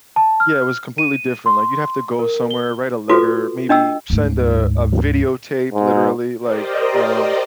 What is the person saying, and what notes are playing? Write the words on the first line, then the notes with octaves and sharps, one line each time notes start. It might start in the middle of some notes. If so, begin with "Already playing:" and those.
Yeah, it was completely different, like, you'd have to go somewhere, write a letter, maybe send a a video tape literally like, um
A5
F6
D#7
C6
A#4
G7
F4 F#4 A4 B4 D6
D4 D#5 G5 E6
D2 G#2
G#2
G4 A#4 C5 D5 D#5